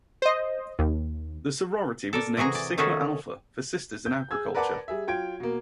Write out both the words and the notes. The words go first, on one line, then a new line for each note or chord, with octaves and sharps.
The sorority was named Sigma Alpha for Sisters in Agriculture.
C5 D#5
D#2
A4 A#4 D5
C3 E3 F#4 G#4 A#5
D5
D#3 A3 C#4 F#4 G#4 A4
G6
G#4 E6 G#6
A#4 B4 D5 F#5 A5 D6
G3 G#4 E5
F#3 F4 G5 G#6 D7
B2 A#3